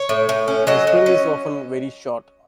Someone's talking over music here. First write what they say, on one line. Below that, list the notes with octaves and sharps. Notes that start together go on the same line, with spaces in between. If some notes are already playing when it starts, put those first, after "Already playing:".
The spring is often very short.
Already playing: C#5
A2
A2
C#4
F#3 D#5
F#3
C#4